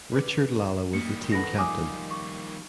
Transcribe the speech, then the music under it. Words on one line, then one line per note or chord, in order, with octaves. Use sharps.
Richard Lalla was the team captain.
B4 D5
D#3 G3 A#3 C#7
A4 B4 F#5 B5 A#6
F3 D#4 G#5 D6 D#6
C#6 D6